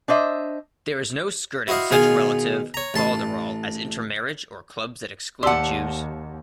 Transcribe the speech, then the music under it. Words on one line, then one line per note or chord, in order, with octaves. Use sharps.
There is no skirting such relative "fol-de-rol" as intermarriage or clubs that exclude Jews.
D4 C5 D#5 E5
E4 F#4 C5 D#5 F5
B2 D#3 F4 G#4 F5 G#5
C#5 A#5
A1 A5 C6
D#2 G4 D5 F#5 A5 C6 D6 E6